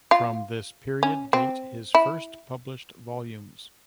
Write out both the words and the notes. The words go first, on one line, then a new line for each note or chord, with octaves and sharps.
From this period date his first published volumes.
F4
C#4
C4
E4